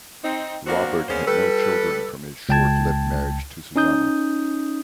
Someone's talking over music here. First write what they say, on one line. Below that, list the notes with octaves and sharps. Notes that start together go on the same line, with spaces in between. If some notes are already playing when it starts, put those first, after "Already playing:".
Robert had no children from his short-lived marriage to Susanna.
C4 D#4
F#3 A#3 C4 D4 F#4
A#3 B3 C#4 D4 G#4 C5
G3 A4 B4
C#2 G5 A5 G#6
C#4 D#4 D#6 G6